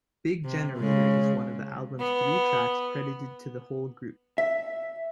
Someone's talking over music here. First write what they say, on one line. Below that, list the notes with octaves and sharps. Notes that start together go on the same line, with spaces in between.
"Big Generator" is one of the album's three tracks credited to the whole group.
C3
C#3 G#3
B3
E5